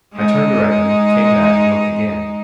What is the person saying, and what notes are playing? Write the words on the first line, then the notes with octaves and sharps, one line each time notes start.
I turned directly, came back, and looked again.
G#3 D#4